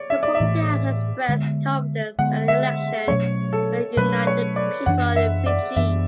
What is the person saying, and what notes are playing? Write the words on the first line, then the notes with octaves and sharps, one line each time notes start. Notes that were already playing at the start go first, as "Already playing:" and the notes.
The party has expressed confidence that the election will unite the people of Fiji.
Already playing: C#5 D5
E5
D5
E5
A2 E3 A3
D3 G#3 B3
D3 G#3 B3 F#5
E5
B2 F#3 A3 C#4 C#5
A4
B2 F#3 A3 C#4 B4
C#5
D5
F#2 E3 B3 D4 F#5
E5
D5
F#2 E3 B3 D4 E5